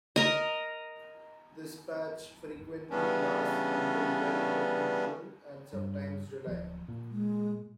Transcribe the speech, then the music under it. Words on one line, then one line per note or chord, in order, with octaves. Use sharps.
This patch frequently lasts until well into June and sometimes July.
A#4 D#5
C#3 E3 G3 B3 C#4 D4
G2
D1 F3
A#2
G#3